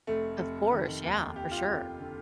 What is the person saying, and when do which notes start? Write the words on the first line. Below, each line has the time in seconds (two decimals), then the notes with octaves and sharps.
of course, yeah, for sure.
0.07 F1 A3
0.39 F1
0.72 D#3
1.03 D#2
1.36 F1 G4
1.51 F4
1.58 G4
1.68 F1
2.00 D3